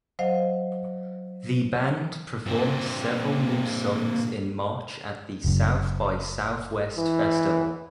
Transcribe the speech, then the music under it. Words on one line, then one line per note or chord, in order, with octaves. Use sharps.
The band performed several new songs in March at the South by Southwest festival.
F#3 C5 D#5 F5 F#5
G2 A#2 A#3 C4
F#1 F#2
E3